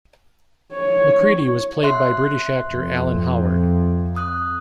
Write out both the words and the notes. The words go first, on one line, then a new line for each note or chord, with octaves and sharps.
McCready was played by British actor Alan Howard.
C#5
E5 C6 F#6
F2
D#6 F#6